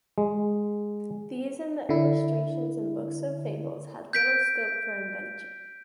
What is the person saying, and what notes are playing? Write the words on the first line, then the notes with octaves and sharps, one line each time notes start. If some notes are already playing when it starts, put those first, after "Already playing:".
These and the illustrations in books of fables had little scope for invention.
G#3
D3 E4
G6 B6 D7